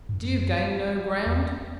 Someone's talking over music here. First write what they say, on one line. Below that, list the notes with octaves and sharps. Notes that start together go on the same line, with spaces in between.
"Do you gain no ground?"
G#2
F#2
E2